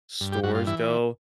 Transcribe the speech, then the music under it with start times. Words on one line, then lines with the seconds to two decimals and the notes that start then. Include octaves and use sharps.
stores go,
0.21 G2
0.32 G4
0.43 G2 F#4
0.55 F4
0.67 E3 E4